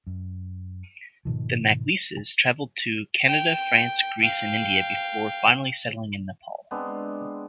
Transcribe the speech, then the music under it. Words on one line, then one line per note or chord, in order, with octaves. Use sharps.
The MacLises travelled to Canada, France, Greece and India, before finally settling in Nepal.
F#2
G#2 B2 D#3 F3
G5
F5 G5
G#3 B3 C4 D4